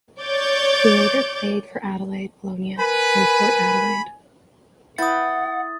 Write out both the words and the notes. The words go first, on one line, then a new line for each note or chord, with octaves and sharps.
He later played for Adelaide Polonia and Port Adelaide.
C#5 D5 D6 G6 A6
A#4 B4 G#5 B5
E4 B4 F#5 G5 D#6 A6